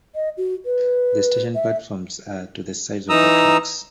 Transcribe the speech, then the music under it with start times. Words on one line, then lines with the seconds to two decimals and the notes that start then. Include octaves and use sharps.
The station platforms are to the sides of the tracks.
0.15 D#5
0.37 F#4
0.65 B4
1.55 E5
3.10 E3 D#4 A#5 D#6 E6